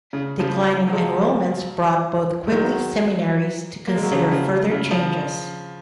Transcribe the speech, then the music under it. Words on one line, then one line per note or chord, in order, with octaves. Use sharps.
Declining enrollments brought both Quigley seminaries to consider further changes.
C#3
C#3 F3
F#3
F3 G#3
G#3
D#3 F#3
A#3
G#3
F#3
C#3 F3
C#3
C#3
C#3 F3